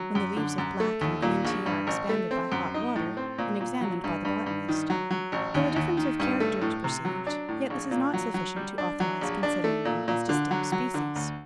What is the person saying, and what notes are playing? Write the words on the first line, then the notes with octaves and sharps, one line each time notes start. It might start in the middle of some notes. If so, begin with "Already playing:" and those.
When the leaves of black and green tea are expanded by hot water, and examined by the botanist, though a difference of character is perceived, yet this is not sufficient to authorize considering them as distinct species.
Already playing: F#3
F#2
D3
F#2
A3
D#2
A#2
A#1
G2
A1
A3
C4
F#2
D#4
A2
C4
A#2
A#2
F#3
G2
G2
G2
D#3
F#3
F#3
A1
D#2
D#2
D#3
G2
A3
A2
C3
F#3
D4
A2
A#1
A#2
F#3
F#3
G3
D4
F#3
A#1
D4
A3
A#2
A#2
D3
F#3
F#3
D3
D2